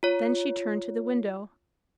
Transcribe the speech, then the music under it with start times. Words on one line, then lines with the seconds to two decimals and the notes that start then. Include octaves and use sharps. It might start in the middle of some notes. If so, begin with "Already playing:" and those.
Then she turned to the window.
0.03 F4 C#5